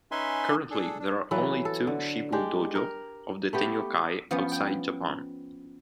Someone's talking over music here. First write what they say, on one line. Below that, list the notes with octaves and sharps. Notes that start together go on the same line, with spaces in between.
Currently there are only two shibu dojo of the Tenyokai outside Japan.
C#4 D#4 B4 E5 G#5 C6
D4 G#4 A4
D4
E3 F#3 A4 B4
A4
D3
G#3 D4 G4
A#4
A3 B3 G4
F3 B3 C#4
G5